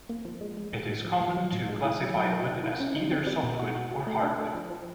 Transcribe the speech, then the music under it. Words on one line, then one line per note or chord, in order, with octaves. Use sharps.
It is common to classify wood as either softwood or hardwood.
A#3
F3
G#3
G#3
A2
A2
F3
F3
F#3
A2
G#3
E4
F#3
F#3
A#4
D#4
E4
C#4
D#4
C4
G3
B2
F#4
F#4
F#4
A3
D4
A4
F3
F3